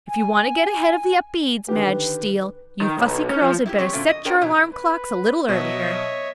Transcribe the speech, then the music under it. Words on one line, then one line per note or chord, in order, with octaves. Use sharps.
"If you want to get ahead of the Upedes, Madge Steele, you Fussy Curls had better set your alarm clocks a little earlier."
G#5
D3 D#3 G4 B4
D#3
B1
C#4
F3
E4 F#4 G4
F#3 G#3 A3 C4 G4 C#5
A#2 D3 F#3 A3 C4 C#4
D#5
D4 G#4 A#4 C5 C#5 G5
E2 B2 F#3
B4
B2 F#3 C#5 D#5 E5